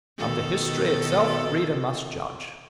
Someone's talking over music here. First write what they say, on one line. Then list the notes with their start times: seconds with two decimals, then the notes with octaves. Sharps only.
Of the history itself the reader must judge.
0.18 B2 D#3 A4